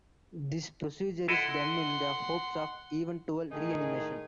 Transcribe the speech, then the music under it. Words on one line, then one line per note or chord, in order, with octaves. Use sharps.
This procedure is done in the hopes of eventual reanimation.
E4 A4 D#5 F#5 C6
A2 D#3 D#4 G#4